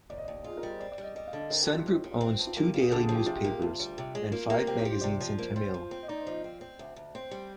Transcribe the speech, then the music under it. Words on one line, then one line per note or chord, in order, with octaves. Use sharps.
Sun Group owns two daily newspapers and five magazines in Tamil.
D#2 D5
D#5
D#2 D5
F4 G#4
A#4
G3
C5
C4 D5
D5
G3
D#5
G3 D#5
F5
D3
D#5
C4 A#4
G4
G2
F4
D#2
D#3
C4
G2
F4
A#3 G4
A#3
G#4
D3 G4
G#4
F3
G4
C3 F4
G4
A#3
D2 F4
G3
C3
G#3
A#3 F4
A#3 G4
C4 G4
F4
G4
C5
C3 D5
C5
F3
A#3 C5
G3 C5
F3
C4
D#5
D#4 D5
C5
F3
D5
C4
C4
D2
D2
C4 C5
G3